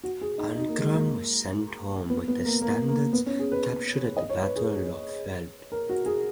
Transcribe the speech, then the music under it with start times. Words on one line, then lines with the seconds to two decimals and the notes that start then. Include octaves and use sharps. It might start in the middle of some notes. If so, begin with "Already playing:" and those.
Ancram was sent home with the standards captured at the Battle of Lauffeld.
0.04 F#4
0.21 G#4
0.38 D#4
0.55 D#4
0.69 A#3
0.81 G#3
0.94 A#3
2.10 B3
2.28 B3
2.45 A#3
2.62 A#3
2.88 A#3
3.13 B3
3.26 C#4
3.39 G#4
3.52 B4
4.17 D#5
4.30 C#5
4.42 B4
4.56 G#4
5.72 A#4
5.89 F#4
6.06 G#4